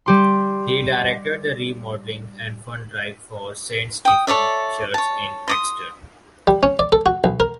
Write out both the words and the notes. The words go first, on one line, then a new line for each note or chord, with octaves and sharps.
He directed the Remodeling and Fund Drive for Saint Stephen Church in Exter.
G3 G4 C6
G5 D#6
A4 C#5 D5 E5
C#5 A5
C6 D6 D#6
G3
C#4
D5
A4
F#4
B1
A#4